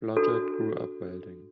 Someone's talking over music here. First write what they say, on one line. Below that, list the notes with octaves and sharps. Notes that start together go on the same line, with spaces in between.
Blodgett grew up welding.
D4 F#4 A4